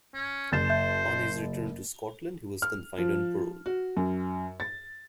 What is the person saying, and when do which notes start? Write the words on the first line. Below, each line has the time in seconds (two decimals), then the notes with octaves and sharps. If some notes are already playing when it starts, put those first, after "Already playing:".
On his return to Scotland he was confined on parole.
0.14 C#4
0.52 F#1 C5 A6 E7
0.70 E5 G6
2.62 F6
2.98 F3
3.66 F#4
3.97 F#2
4.60 A6